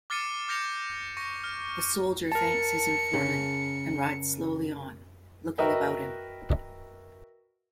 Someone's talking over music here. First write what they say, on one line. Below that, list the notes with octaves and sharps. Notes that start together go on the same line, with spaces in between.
The soldier thanks his informant and rides slowly on, looking about him.
D6 F6 A6 C7 C#7 D#7
D6 F6 G6 A#6 C#7 F7
C#6 A#6 C#7
F6
A#4 A5 C#7
C#3
F#4 A#4 B4 D#5 E5 G5